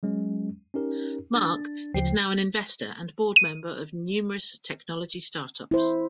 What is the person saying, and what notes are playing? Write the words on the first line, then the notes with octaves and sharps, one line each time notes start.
Mark is now an investor and board member of numerous technology startups.
F#3 G#3 C#4
C#4 D#4 G4 A#4
D4 A6
D2 C#3 F3 C5 G5 C7
D#7
E4 C5